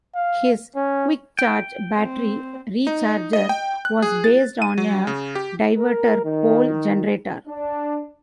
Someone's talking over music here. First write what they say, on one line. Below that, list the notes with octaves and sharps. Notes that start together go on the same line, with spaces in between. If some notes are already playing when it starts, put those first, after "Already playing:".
His "quickcharge" battery recharger was based on a diverter pole generator.
F5
C#4
G5
C4
D#4
D#5
G5
F#6
G#4
A6
D#7
F#3
C#3
G4
A#4
D#3
D4